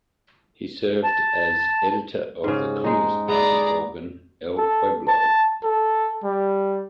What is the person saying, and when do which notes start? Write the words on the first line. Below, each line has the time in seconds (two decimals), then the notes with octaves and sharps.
He served as editor of the Communist Party organ "El Pueblo".
1.04 A5
2.44 G#2 C#3
2.84 G#3 D#4
3.28 B3 G#4 D5 A#5
4.58 A4
5.08 A5
5.63 A4
6.24 G3